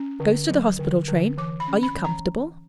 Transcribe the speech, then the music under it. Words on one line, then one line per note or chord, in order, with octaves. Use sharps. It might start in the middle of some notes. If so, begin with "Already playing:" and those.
Goes to the hospital train--'Are you comfortable?
Already playing: C#4
D3
F#3
D3
D3
E3 D6
B5
C#4
B5
E3
A#5